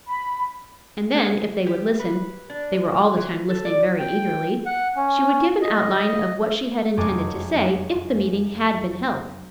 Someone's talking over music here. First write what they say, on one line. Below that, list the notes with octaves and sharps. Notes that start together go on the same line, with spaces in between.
And then, if they would listen,--they were all the time listening very eagerly,--she would give an outline of what she had intended to say, if the meeting had been held.
B5
G#4
G4
B4
D4
E3
A4
D5
G5
F#5
C#4
D#5
F1 F#2 G#3 A4 D#5 D6